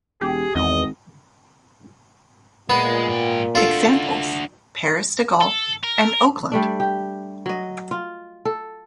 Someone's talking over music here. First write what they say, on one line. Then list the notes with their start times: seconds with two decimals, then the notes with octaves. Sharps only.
Examples: Paris-de Gaulle and Oakland.
0.21 E1 G4 G#4
0.55 G#1 E2 D#5
2.70 A#2 G#3 B3
3.08 G#2 G5
3.55 D4 F4 F#4 A4
5.41 A4
5.84 A#4
6.52 G3 A3 D4
6.80 G4
7.46 F#3 D#5
7.91 F4
8.45 A4